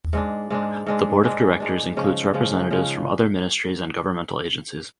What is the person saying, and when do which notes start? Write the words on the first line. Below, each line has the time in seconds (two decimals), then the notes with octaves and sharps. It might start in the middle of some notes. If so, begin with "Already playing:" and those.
The board of directors includes representatives from other ministries and governmental agencies.
0.13 G#2 G#3 D4
0.50 G#2 G#3 D4
0.86 G#2 G#3 D4
1.23 G#2 G#3 D4
1.60 G#2 G#3 D4
1.97 C#3 F3 G#3 C#4
2.33 C#3 F3 G#3 C#4
2.71 C#3 F3 G#3 C#4